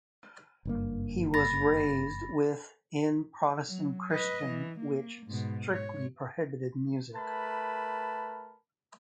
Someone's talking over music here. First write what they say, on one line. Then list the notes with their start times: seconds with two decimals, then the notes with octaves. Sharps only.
He was raised with in Protestant Christian which strictly prohibited music.
0.65 F#1 G2 A#3
1.34 B5 A6 A#6
3.67 F#3
4.11 B4 D#5
4.46 E3
4.79 A#3
5.26 G#2 B2
5.69 G#2 C#5
7.15 A3 A#4 B4 A5 B5